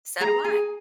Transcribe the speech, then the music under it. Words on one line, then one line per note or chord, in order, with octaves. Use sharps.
So do I.
G#4 A#5
G#4 G#5